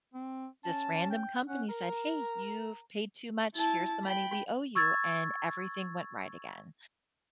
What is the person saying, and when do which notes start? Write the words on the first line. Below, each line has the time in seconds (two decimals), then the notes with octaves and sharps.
this random company said, "Hey, you've paid too much, here's the money we owe you," and everything went right again.
0.14 C4
0.64 C#4 A5
1.10 G5
1.48 C#4 F#5
1.70 A#4 A#5
3.55 E4 A5
4.05 G5 B5
4.75 C#6 E6 G#6 A6